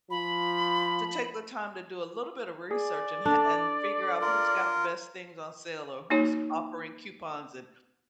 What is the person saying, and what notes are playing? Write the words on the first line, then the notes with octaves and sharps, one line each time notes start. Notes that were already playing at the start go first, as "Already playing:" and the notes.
to take the time to do a little bit of research and ha and figure out who's got the best things on sale or who's offering coupons, and
F3 B5
G#4 D5
D4 A4
F4 A#4
A#3 D#4 F#4 C#5